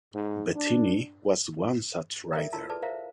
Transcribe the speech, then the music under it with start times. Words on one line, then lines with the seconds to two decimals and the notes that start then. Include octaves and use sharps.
Bettini was one such rider.
0.15 G#2
0.56 D4
2.33 A4 A#4 D5 E5 G5 A#5
2.52 E4 F4 A5 A#5 C6 E6
2.69 G#4 A4 B4 D5 A5
2.82 A#4 C5 E5 F5 A#5